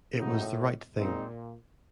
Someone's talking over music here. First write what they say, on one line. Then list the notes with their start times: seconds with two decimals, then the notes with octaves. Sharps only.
It was the right thing.
0.16 A2 C#3 F3 A#3 D#4 F#4
0.96 A#2 G#3 C4 D#4